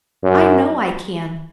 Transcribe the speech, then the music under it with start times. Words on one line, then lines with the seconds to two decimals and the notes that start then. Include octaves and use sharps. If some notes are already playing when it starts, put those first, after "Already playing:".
I know I can.
0.24 F#2